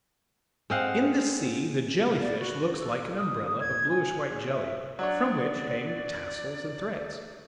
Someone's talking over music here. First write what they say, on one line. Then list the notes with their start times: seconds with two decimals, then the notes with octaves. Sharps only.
In the sea the Jelly-fish looks like an umbrella of bluish-white jelly, from which hang tassels and threads.
0.70 G#3 C4 F5 F#5
2.20 D5
2.39 F#4
2.80 A4
3.17 D#6
3.60 G#6
3.90 G#5
4.30 G#4
4.51 E5
4.99 F#3 D4 C#5 D5